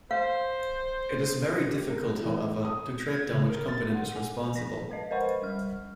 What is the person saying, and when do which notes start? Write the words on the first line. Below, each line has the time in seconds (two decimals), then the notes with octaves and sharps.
It is very difficult, however, to track down which component is responsible.
0.11 C5 F5
1.69 G4
1.90 A#4
2.21 E3
2.65 D#6
3.08 G#6
3.33 C#3
3.50 A#4
3.68 A6
3.91 G#3 F#5
4.15 G#5
4.54 F3 A#6 B6
4.90 G#3 B4 D#5
5.11 A#4 C5 D#5 F#5 B5 C#6
5.42 G3 F6